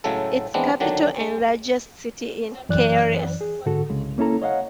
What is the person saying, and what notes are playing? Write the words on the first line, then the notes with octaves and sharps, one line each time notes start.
Its capital and largest city is Kielce.
A2 C#3 F#3 G#3 A4
E3 G#3 B3 C4 D4
D3 D#3 F#3 D4
G#3
F#2 E3 D5 F#6
G#4
G#2 D3 F#4 A4
C2 C#3 G#3
A#3 C#4 E4 A4 A#5
C#5 D#5 F5 F#5